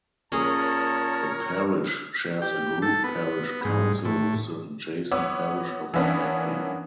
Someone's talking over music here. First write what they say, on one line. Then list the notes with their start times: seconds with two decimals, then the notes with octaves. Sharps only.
The parish shares a grouped parish council with the adjacent parish of Bagby.
0.32 A#2 C#4 G#4 A#4 C#5 A5
2.42 G4
2.82 A4
3.04 B3
3.65 G#2
4.05 A2
5.12 B3 C#5 D6 E6
5.94 E3 A#3 B3 C#4 D4